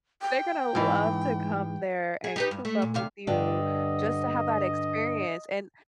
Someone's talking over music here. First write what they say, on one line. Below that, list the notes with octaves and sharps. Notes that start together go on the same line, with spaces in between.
they're gonna love to come there and coop up with you just to have that experience, and
G5
G#2 E3
G#4
D#4 G4 B4
G2
A3
A#2
D#2 C3 F5
G2 D3 D4 D#5